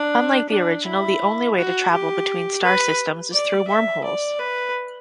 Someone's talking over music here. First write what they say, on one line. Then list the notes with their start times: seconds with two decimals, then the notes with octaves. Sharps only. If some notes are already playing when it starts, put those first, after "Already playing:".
Unlike the original the only way to travel between star systems is through wormholes.
Already playing: D4
0.49 D4
0.86 E4
1.56 F#4
1.92 G4
2.63 B4
3.32 D5
3.68 E5
4.04 D5
4.39 B4